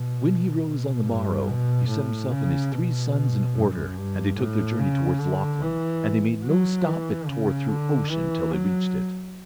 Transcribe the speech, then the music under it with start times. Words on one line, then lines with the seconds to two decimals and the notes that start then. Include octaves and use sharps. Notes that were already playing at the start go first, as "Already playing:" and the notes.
When he rose on the morrow, he set himself and his three sons in order, and they took their journey towards Lochlann, and they made no stop but tore through ocean till they reached it.
Already playing: B2
0.64 B2
1.06 G2
1.47 B2
1.89 A2
2.30 C#3
2.72 B2
3.54 F#2
3.96 G2
4.37 A2
4.78 C#3
5.20 D3
5.61 E3
6.44 F#3
6.85 E3
7.27 C#3
7.68 D3
8.09 E3
8.51 F#3